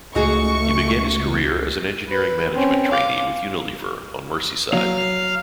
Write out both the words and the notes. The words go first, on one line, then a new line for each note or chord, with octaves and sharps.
He began his career as an Engineering Management Trainee with Unilever on Merseyside.
C#2 A3 D#4 F#4 G#4 C#6
B4
C4 C#4
F5 D6
F#3 F5